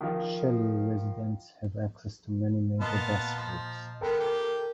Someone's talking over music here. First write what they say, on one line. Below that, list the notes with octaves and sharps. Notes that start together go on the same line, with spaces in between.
Shelley residents have access to many major bus routes.
D#3 F3
A#2 B3 F4 D#5 A5 A#5
F3
G#3 B3 A4 A#4 G5
G4